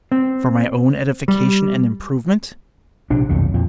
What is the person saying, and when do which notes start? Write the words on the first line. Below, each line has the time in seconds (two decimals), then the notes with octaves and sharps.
For my own edification and improvement?
0.12 C4
1.28 G3
3.10 A#1 C3 D4
3.29 B1 F2 D#3
3.54 F2 A#2